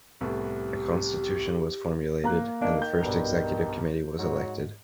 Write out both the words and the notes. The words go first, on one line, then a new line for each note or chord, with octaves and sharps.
A constitution was formulated and the first executive committee was elected.
C2 A2 B3 G4
A#3 A#5 F#6
A#3 D4 D#4
D#3 G6
B1 G2
G#2 F#3